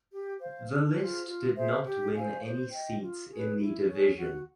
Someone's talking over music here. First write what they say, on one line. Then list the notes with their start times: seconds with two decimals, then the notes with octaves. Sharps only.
The list did not win any seats in the division.
0.11 G4
0.39 C5 F5
0.68 D4
0.97 F4 G#4 C5
1.27 F4
1.56 G#4 C5 E5
1.84 G4
2.14 C5 F5 G#5
2.43 C5
2.72 D#5 G5
3.01 F4
3.29 G#4
3.34 B4
3.59 E4
3.87 G#4 C#5
4.17 F#4